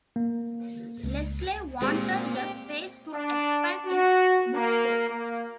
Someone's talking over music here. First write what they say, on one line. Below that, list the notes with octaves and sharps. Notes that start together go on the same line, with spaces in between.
Lesley wanted the space to expand its bookstore.
A#3
C#2
A#2 G#3 C4 F4 G4
G4
D4
F#4
A#3
A#3